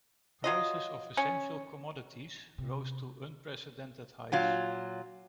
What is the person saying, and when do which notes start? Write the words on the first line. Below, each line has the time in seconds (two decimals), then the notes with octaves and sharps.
Prices of essential commodities rose to unprecedented heights.
0.44 F#3 F4 D#5
1.17 C#4
2.58 C3
4.32 A#2 F#3 F4